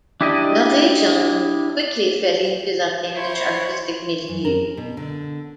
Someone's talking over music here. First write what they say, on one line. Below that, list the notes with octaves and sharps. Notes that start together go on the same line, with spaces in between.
Marie Jeanne quickly fell into the Danish artistic milieu.
D4 E4 G4 D5 D#5
E4 C5 C#5 E5 C6
F#2
A#4
B2
D3